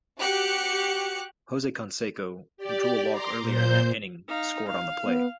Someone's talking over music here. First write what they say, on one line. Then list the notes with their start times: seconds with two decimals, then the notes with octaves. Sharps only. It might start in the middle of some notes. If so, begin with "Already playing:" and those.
Jose Canseco, who drew a walk earlier that inning, scored on the play.
0.19 F#4 G4 F#6 C#7
2.57 G4 D5
3.10 A#5 C6 D6
3.41 A#2 C5 G6
4.28 D#4 F5
4.66 F5
5.05 B3